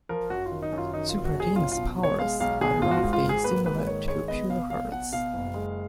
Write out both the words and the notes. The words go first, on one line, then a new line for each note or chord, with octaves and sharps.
Superteen's powers are roughly similar to Pureheart's.
F3 A#4
F#2 F#4
F4
D#3
D#4
F#2
F4
D#3 D#4
F4
F#1
F#4
F#2 G#4
B1 F4
F4
B2
B2
C#5
G#3 F5
B1 F5
B2 G#4
G#1 F4
F#4
F4
G#2
F4
G#1 G#4
A#3 B4
G#2 B4
B4
D#3 C#5
G#3 C#5
B3 D#5
B2 F5
B1 F5
B2 F#5
B2 F5
F#1
G#3